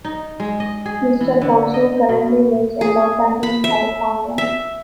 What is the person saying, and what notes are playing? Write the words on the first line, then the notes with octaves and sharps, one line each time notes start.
Mr. Pacheco currently lives in Los Angeles, California.
D#4
G#3
D#5
G#4
E3
D3
D#5
B2
G#4
B5
E5
E5